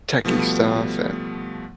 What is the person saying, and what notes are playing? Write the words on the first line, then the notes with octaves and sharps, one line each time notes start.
techy stuff and
B2 F3 G3 A3 B3